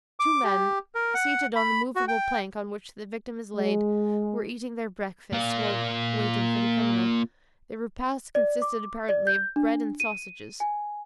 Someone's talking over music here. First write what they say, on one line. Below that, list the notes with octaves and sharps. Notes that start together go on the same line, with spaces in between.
Two men, seated on the movable plank on which the victim is laid, were eating their breakfasts, while waiting for the criminal. Their repast consisted apparently of bread and sausages.
D6
G4
A#4
F#5
B5
F#4
G5
G#3
A#3 F4
D5
D6
D5
G6
D4
D#7
G#5